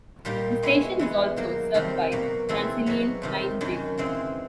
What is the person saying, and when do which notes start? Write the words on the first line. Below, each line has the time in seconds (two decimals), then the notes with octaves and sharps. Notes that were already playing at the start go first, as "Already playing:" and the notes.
The station is also served by Transilien line J.
0.25 A#2 G3 A#3 D#4
0.62 B2 G#3 B3 E4
0.99 E3 G#3 B3
1.36 D#3 F#3 A#3
1.74 F2 C3 D#3 G3 C4
2.12 B2 F#3 A#3
2.49 E3 G#3 C4 E4 A4
2.86 B2 F#3 B3
3.22 F2 C3 D#3 G3
3.61 F#2 D#3 F#3
3.98 C#3 E3 G#3 C4